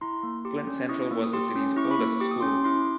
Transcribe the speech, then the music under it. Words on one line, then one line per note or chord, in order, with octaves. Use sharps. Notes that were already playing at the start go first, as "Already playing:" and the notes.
Flint Central was the city's oldest school.
E4 A#5 C6
A#3
G4 C6 D6
C#4
E4 C#6 D#6
A#3
D#6
G4 C6 D6
C#4
E4 C#6
D6
B5 C#6
A#3
G4 D6
D#6
C#4 C6 D6
E4 C6 D6